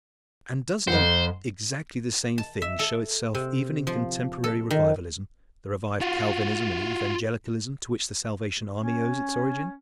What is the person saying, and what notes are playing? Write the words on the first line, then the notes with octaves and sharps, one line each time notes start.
And does not exactly the same thing show itself even in contemporary revivalism--the revived Calvinism and Evangelicalism, to which the Salvation Army owes its origin?
F2 D#3 C5 F#5
A5
E5
A4
C3
F3
A4
D#3
F4 F#4
C#4